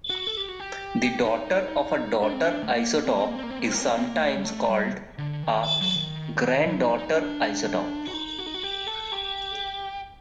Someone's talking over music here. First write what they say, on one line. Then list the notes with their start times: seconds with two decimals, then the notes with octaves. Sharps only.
The daughter of a daughter isotope is sometimes called a "granddaughter isotope".
0.10 F#4
0.27 A4
0.37 G4
0.48 F#4
0.60 G4
1.25 D#4
2.23 D4
2.33 C4
2.44 D4
2.63 A3
2.72 A#3
2.96 A#3
3.05 C4
3.12 A#3
3.20 C4
3.27 A#3
3.36 C4
3.43 A#3
3.51 C4
3.59 A#3
3.66 C4
3.75 A#3
3.82 C4
3.89 A#3
3.97 C4
4.05 A#3
4.20 A3
4.36 G3
4.45 A3
4.69 G3
5.18 D3
5.43 D#3
5.67 D#3
5.81 F#3
5.95 D#3
6.66 F#3
6.82 D#4
6.98 D#4
7.15 D4
8.08 F#4
8.13 D#4
8.39 F#4
8.46 D#4
8.55 F#4
8.63 G4
8.87 A4
9.12 G4